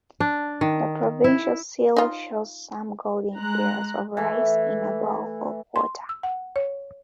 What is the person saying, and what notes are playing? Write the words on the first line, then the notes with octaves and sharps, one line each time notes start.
The provincial seal shows some golden ears of rice in a bowl of water.
D4
D#3
E4
D#4 F4
G#3 A#5 F#6
E3 A3
C6
E6
F#5
C#5